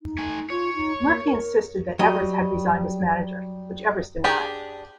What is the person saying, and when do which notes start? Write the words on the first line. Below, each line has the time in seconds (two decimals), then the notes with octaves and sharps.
Murphy insisted that Evers had resigned as manager, which Evers denied.
0.02 D#4
0.18 A3 G#5
0.50 F4 C#5
0.75 D#4
1.03 A#3
1.24 A#4
1.99 F#3 G3 D#5
4.24 D4 G4 G#4